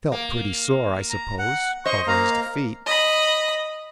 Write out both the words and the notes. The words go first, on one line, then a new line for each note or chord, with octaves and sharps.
"Felt pretty sore, I suppose, over his defeat."
A#3
A#5
F#5
C5 D#5 C#6
A#3 F5 A#5
D#5 B5